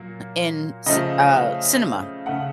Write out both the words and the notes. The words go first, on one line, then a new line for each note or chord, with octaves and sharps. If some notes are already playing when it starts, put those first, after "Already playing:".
in ci uh, cinema,
Already playing: A#2 F#3 A#3
C#3 F3 A3 D#5
F5
C#3 A3 F#5